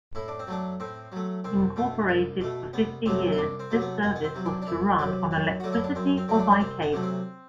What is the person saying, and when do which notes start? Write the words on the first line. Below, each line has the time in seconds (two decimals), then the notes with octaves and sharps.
Incorporated for fifty years, this service was to run on electricity or by cable.
0.15 A2 E4
0.28 D4
0.39 C4
0.47 F#3 A3 D4
0.80 A2 C4
1.12 F#3 A3
1.44 C2 C4
1.76 B2 A3
2.09 C2
2.41 B2 A3
2.73 C2 B3
3.06 C3 F#3 A3 C4
3.32 E4
3.38 C2 D4
3.60 C4
3.70 C3 F#3 A3
3.81 B3
4.03 C2 B3
4.16 B3
4.24 C4
4.35 C3 F#3
4.45 D4
4.62 D4
4.67 C2 E4
4.99 C3 F#3 G4
5.31 F#2
5.60 D3 F#3 A3 F#4
5.73 E4
5.84 D4
5.95 F#2 C4
6.17 C4
6.28 D3 F#3 A3 C4
6.39 D4
6.51 D4
6.60 C2 C4
6.82 B3
6.93 C3 F#3 A3
7.03 C4